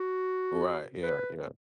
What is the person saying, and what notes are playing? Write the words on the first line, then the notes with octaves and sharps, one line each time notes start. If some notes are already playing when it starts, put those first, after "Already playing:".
Right, yeah, yeah.
Already playing: F#4
B4